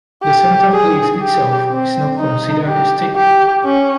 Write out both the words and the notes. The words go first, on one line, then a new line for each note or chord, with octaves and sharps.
The center place itself is not considered a stake.
G4
G#4
G4
C4
D#4
G4
G4
C#4